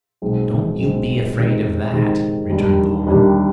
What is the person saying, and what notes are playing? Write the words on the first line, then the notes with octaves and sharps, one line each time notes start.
"Don't you be afraid of that," returned the woman.
B1 B2 G#3 C4
B1 B2 G#3 C4
C3 D#3 G#3 C4 D#4
C3 D#3 G#3 C4 D#4
D#2 D#3 G3 D4
D#2 D#3 G3 D4